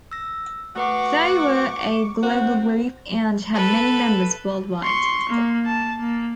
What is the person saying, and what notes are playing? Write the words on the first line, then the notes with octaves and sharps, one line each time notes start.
They were a global group and had many members worldwide.
E6 A#6
A3 F#4 B4 F#5 C#6 D6
C4 F#4 C5
A4 B4
C6 C#6
A#3
A5
A#3